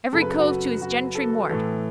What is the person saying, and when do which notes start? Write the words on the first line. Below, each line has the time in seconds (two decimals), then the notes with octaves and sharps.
Every cove to his gentry mort.
0.12 F#2 C#3 F#3 A4
0.21 B4
0.29 A4
0.39 F#4
0.81 F#4
1.15 A4
1.49 A2 E3 A4